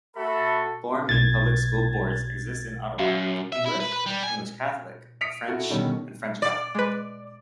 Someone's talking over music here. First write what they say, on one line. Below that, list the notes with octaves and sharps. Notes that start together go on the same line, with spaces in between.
Four main public school boards exist in Ottawa: English, English-Catholic, French, and French-Catholic.
A3 F#4 A4 E5 B5
B1 G#6 A6
F#2 F#4 E5 F5
E5
E4
B4
B4
G3
G#5
D#6 B6 C#7 D7 F7
E4 F#4 A4
B2 D3 D#3 G3 C#4
D5
G#3 B4